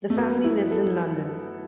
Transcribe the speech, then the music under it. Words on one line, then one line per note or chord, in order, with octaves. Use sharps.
The family lives in London.
A3
F#2 B3
F#2
E4
F#2
A4